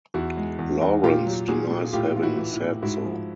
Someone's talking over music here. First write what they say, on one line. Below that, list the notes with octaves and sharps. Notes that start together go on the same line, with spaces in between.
Lawrence denies having said so.
E2 E4 F#4
G#3
E2
E2
A#2 F4 G4
F#3
A#2 F#4 G#4
A#2
A2 F4 G4
E3 F4
E4 F#4
E3
E4
A2
G#2 E4 F#4
F3